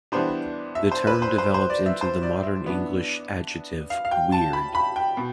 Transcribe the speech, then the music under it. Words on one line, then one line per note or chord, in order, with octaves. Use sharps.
The term developed into the modern English adjective "weird".
E3 G3 B3 D4 C5
E5
C5
B4
C5
C5
C5
D5
E5
C5
D5
E5
E3 B3 D4
F5
F5
G5
A5
B5
B5
G5
B2